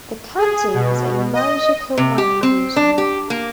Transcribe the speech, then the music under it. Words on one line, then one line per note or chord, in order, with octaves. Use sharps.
The county was a major coal-mining region.
G#4
B2
D#5
C3
G4
C4
D4
G4
A#3